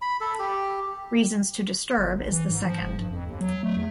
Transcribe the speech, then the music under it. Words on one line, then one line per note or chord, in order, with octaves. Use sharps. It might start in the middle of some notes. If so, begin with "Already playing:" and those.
"Reasons to Disturb" is the second.
B5
A4
G4
G1
A#1
E3
G#2
F3
F#1
G2
F2
D#2
F#3
A3
E2